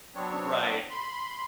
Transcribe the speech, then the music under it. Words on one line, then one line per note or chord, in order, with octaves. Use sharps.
Right, a
F#3 B3 C4 D4 C#5
B5 C6